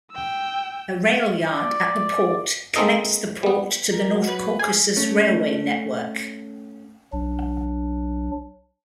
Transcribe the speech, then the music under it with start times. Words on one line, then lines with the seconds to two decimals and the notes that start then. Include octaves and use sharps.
A railyard at the port connects the port to the North Caucasus Railway network.
0.11 G5 E6
1.45 D5
2.76 G#3 A#3 C4 D#4 A4 D#5
3.43 G3 B3
3.92 A#4
4.06 F#3
4.27 B4
4.59 G#4 G#5
4.96 A3 C#4
7.13 B1 F#3 D4